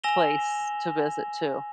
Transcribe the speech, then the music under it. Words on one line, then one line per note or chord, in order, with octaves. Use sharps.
place to visit too.
G#5 E6 A#6 E7 F7 G7